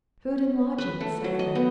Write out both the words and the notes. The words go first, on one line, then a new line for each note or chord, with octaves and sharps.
"Food and lodging," said the man.
B4
A3
F#3
D#5
B3